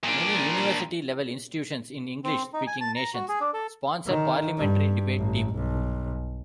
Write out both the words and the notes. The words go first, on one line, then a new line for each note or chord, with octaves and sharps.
Many university-level institutions in English-speaking nations sponsor parliamentary debate teams.
A#2 D4
C4
D#4
G#5
A5
A#5
F#4
G#4
D4
A4
D#3
G2
A1
B1